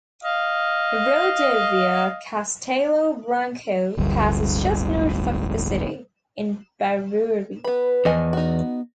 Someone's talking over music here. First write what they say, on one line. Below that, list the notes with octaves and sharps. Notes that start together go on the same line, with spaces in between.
The Rodovia Castelo Branco passes just north of the city, in Barueri.
D#5 F5
D1 G1 D2 G3
B3 B4 B5
E2 F3 D#5 G#5
B3 D#4 F#4